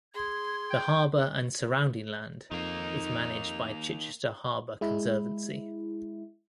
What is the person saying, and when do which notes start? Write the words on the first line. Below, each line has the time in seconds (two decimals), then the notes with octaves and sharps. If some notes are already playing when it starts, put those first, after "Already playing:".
The harbour and surrounding land is managed by Chichester Harbour Conservancy.
0.14 G#4 C6 G#6
0.70 G5
2.52 F2 D#3 A#3 D#4 F7
4.81 G#3 E4